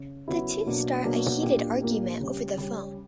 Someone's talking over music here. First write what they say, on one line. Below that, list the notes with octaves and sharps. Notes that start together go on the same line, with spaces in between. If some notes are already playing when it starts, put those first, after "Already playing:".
The two start a heated argument over the phone.
Already playing: C#3
C#3 F#3 B3 E4
B2 F#3 A#3 D4
B2 F#3 A#3 D4
A#2 A#3 D4 G4
A#2 A#3 D4 G4
C#3 G3 C#4 G4
C#3 G3 C#4 G4